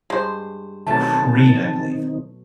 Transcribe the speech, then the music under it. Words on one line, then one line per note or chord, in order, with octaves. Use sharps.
Creed, I believe.
G2 G#3 C5
B2 D#3 F#3 A3 C4 D#4 A5 A6